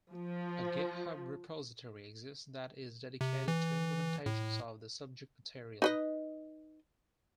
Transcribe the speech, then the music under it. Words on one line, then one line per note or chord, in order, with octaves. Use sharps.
A github repository exists that is dedicated to implementations of the subject material.
F3
C3
E3
A2
D#4 B4 D#5